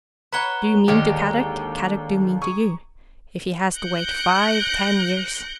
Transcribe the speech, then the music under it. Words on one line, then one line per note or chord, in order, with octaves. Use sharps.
Do mean to Kadok, Kadok do mean to you, if he has to wait five, ten years.
B4 C#5 F#5 A#5 G7
D#2 D3 G#3 G4 A#4
G#4 C#6
F#6 G6 A#6 C#7 D7